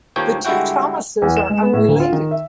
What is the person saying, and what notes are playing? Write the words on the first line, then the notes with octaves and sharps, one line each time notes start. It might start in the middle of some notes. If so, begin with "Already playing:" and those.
The two Thomases are unrelated.
D#2 F3 A#3 C#5 G5
D3 G3 G#3 E4 F#4 G5
E2
E7
G#3
B3
A2
D2
F4
D#3
E5